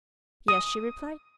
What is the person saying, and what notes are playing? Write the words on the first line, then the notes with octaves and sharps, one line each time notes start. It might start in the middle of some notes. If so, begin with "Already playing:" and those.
"Yes," she replied.
D#6